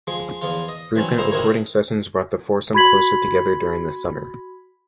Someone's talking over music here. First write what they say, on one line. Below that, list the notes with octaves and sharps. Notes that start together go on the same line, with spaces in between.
Frequent recording sessions brought the foursome closer together during the summer.
F3 G#3
E2 F3 F4
D#5
E3 F#3 C4 C#4
F2 G#2 E4 C5 E5 A#5
C4 D#4 E4 F#4 A#4 C#5
F#4 B5 C6 G#6 B6 F#7